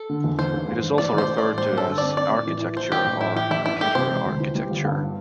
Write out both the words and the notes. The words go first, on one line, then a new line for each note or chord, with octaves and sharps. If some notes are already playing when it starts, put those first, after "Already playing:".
It is also referred to as architecture or computer architecture.
Already playing: A4
D3
E2
E3 C5
A1
G2
A1
E3 D5
A1 C5
A2
A3 D5
G3 C5
G2 A4
D3
C4 D5
C4 D5
A2
E3
E4
E3 C5
A1 G4
A2
A3 E4
E3 G4
A1 E4
G2 E4
A3 G4
C3 C5
E1
D2
E3
G3
G1
G2